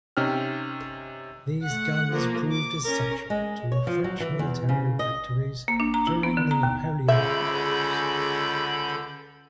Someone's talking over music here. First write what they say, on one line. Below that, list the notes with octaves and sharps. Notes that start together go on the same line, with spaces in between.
These guns proved essential to French military victories during the Napoleonic wars.
C3 C#4 D#4 G5 F6
A3 F#5
F3 A#3
D6
C#4 A#4
G#3
C#5
F3
F#3
E3
E2
C#3
D#5
A#3
D4
A#5
E4
B3
D3
A#5
D#2
C#2 D3 G#4 E5 B5 G6